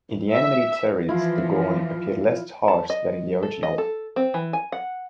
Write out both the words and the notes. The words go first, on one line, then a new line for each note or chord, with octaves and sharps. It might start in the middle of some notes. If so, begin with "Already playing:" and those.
In the animated series, the Gorn appeared less harsh than in the original.
E5
E3 F3 E4 F4
A5
D#5
A4
D#5
A4
C4
E3
G#5
F#5